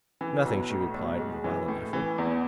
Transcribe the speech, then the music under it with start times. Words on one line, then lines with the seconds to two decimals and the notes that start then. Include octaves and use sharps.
"Nothing," she replied with a violent effort.
0.21 E3
0.45 B1
0.70 A2
0.94 B1
1.19 G#3
1.44 E3
1.68 A2
1.93 E3
2.18 E2